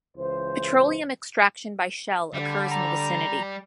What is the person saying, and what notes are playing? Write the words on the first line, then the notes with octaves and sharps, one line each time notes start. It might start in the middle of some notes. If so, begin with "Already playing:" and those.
Petroleum extraction by Shell occurs in the vicinity.
C#2 E3 C5
D3 G3
A#5